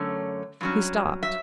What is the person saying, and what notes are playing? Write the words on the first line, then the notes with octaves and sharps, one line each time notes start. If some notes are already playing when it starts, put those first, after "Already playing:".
He stopped.
Already playing: F#2 D3 A3 C#4
G2 F#3 C#4
E5